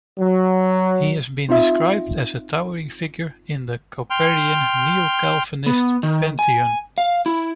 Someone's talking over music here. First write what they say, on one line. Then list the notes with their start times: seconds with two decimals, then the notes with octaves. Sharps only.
He has been described as a "towering figure" in the Kuyperian Neo-Calvinist pantheon.
0.19 F#3
1.49 C4 D#4 F4 E5
4.10 G5 C6 F6
5.66 B3
6.03 D#3
6.39 G#5
6.98 F5
7.26 E4